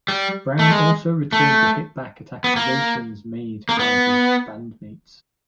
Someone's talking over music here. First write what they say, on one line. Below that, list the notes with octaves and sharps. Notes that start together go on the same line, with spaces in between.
Brown also returned to hit back at accusations made by his bandmates.
G3
A3
G#3
A3
B3
A#3
A#3
B3